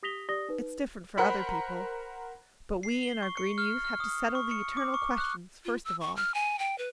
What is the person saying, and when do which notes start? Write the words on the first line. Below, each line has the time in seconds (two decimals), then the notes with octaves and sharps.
It's different for other people; but we in our green youth have to settle the eternal questions first of all.
0.03 G4 D#6 A#6 B6 F7 G7
0.29 G4 D5 D#6 A#6 G7
0.49 D#4 B4
1.17 A#4 C5 F#5 A#5 B5
2.83 C7
3.03 G7
3.22 C#6
3.37 C#7
3.58 F6
3.85 F6
4.00 D#6
4.35 C#6
4.51 C#7
4.77 D6
4.94 C#6
5.18 F#6
5.65 F4
5.85 E6
6.01 C#6
6.16 F6
6.34 G#5
6.59 G5
6.78 B4